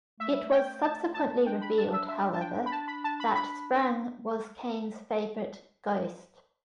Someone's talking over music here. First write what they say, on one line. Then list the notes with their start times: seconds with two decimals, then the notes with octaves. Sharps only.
It was subsequently revealed, however, that Sprang was Kane's favorite "ghost".
0.20 A3 E5
0.32 G3
0.43 A3
0.52 G5
0.83 A5
1.14 A5
1.46 D4 G5
1.61 B5
1.78 A5
1.93 E5
2.08 E5
2.33 A5
2.41 G5
2.66 B5
2.72 A5
2.88 B5
3.04 A5
3.20 B5
3.35 B5